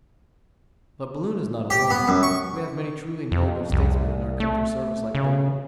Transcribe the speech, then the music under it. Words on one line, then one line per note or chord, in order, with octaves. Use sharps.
But Balloon is not alone, we have many truly noble statesmen in our country's service like Balloon.
G4
B3
F#2
C#6
F2
C2
A3
C#3